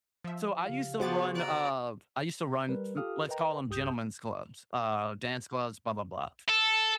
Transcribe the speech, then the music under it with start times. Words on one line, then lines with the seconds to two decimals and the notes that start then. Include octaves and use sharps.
so I used to run, uh, I used to run m let's call 'em gentlemen's clubs, uh, dance clubs, blah, blah, blah.
0.24 F3 E5
0.66 C#3 G4 F5
1.00 B3 F#4 G#4 C5 F#5 D6 A6
1.35 D5 A#5 F#6
2.69 G3 A#4 B4
2.97 F4 G4 A4 F5 D#6 F6
3.29 A#4 B4 D#5 G5 A#5
3.69 C2 G2 G4 D#6 G6
6.49 A4